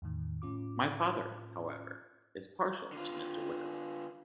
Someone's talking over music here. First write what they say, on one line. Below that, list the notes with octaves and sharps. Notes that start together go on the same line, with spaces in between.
My father, however, is partial to Mr. Wickham.
E2 A2 D#3
A2 C#4 F4 D6
D3 F4